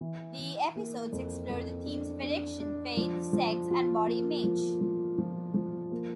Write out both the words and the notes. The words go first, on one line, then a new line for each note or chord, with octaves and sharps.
The episodes explore the themes of addiction, faith, sex and body image.
E3
E3
A#3
F2
F2
D4
D4
D4
F3
F3
F4
A#3
F3
F3
F3
F3
A#3